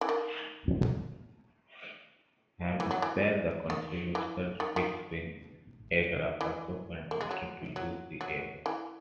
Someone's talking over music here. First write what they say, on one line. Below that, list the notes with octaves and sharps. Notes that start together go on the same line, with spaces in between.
Hampshire Constabulary's fixed wing aircraft also continued to use the airfield.
E3
D#3
E3
F#3
E3
D#3
E3
D#3
D#3
E3
A#3
G#3
F#3
F#3
F#3
E3